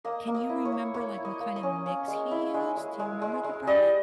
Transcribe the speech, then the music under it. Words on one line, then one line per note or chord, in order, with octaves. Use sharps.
can you remember, like, what kinda mix he used? Do you remember the brand?
A#3 D#5
A#3
D#5
E4
C#5
A#3
A#3 C#5
E4
D#5
A#3
D#5
C#4
C#4
G#3
E4
G#3
G#3
G#3
G#3
G#3
G3 D#5